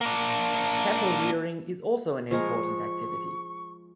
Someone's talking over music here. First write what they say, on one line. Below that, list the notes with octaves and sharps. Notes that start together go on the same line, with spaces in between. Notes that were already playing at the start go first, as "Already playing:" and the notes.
Cattle rearing is also an important activity.
A#3 D4
F3 G#3 A#4 C#6